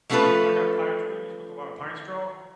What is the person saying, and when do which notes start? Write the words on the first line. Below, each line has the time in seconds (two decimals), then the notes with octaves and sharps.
'cause I got pine trees with a lot of pine straw
0.10 F3 A3 C#4 F4 A4 B4